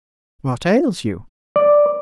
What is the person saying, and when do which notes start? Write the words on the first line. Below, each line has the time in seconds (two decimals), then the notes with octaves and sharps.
'What ails you?
1.56 D5